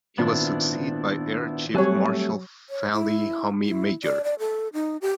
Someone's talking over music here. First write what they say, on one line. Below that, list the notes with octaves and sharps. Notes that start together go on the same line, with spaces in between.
He was succeed by Air Chief Marshal Fali Homi Major.
G#1 A#2 B3 D4 E4
F#3 G3 A3 C4 G4 C#5 G#5 F#6
C#5
E4
E4
D5
D5
A4
D#4
G4